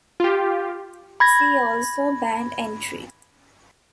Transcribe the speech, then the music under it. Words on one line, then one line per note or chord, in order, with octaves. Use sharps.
See also Band entry.
F4 G4
B5 G#6 A#6